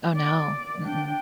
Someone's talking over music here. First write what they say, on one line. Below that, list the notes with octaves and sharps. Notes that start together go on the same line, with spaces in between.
Oh, no, mm-mm.
D5
D4 G5